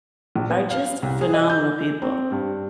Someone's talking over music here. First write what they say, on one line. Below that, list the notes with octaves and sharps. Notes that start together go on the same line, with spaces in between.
are just phenomenal people.
A#1
B3
F5
C2
G#4
D#5
G6
C4
G2